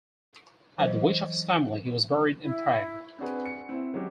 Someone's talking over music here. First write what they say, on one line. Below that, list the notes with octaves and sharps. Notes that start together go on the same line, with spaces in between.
At the wish of his family he was buried in Prague.
E3 F#3 C5 D#5
E4
C4 D4 F#4 G#4 B4
C#7
C4 E4
F#3 G#3 C#4 F#4 G4